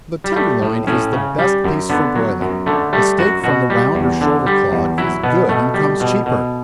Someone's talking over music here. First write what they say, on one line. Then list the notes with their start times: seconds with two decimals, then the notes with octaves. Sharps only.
The tender loin is the best piece for broiling--a steak from the round or shoulder clod is good and comes cheaper.
0.24 G3
0.36 G3 A3
0.62 A2
0.87 A2 C#4
1.13 C#3
1.39 G3
1.64 F#2
1.90 D3 B3
2.16 F#3
2.41 F#2
2.66 D3 A3
2.93 G3 A3
3.18 F#2 F#4
3.44 B2 F#4
3.70 G3
3.95 E2
4.21 D3
4.46 G3
4.72 E2
4.98 F#3 E4
5.23 B2 B3
5.49 B2 A3
5.74 G3
6.00 B2
6.26 B2